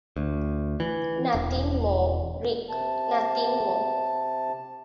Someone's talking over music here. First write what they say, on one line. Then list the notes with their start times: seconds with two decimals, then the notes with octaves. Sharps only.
Nothing more, Rick; nothing more.
0.16 D2
0.80 E3
1.35 E1
2.69 C3 A5